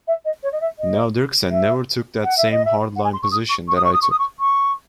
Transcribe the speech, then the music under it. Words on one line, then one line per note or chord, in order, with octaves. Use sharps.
Now, Dirksen never took that same hard-line position that I took.
E5
D#5
C#5
D#5
E5
D#5
E5
F#5
E5
D#5
E5
F#5
G#5
C6
C#6
D#6
C#6
C#6
D#6
C#6
D#6
C#6
D#6
C#6
C#6